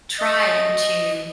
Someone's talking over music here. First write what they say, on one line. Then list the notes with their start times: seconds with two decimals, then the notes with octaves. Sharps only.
trying to
0.19 D#5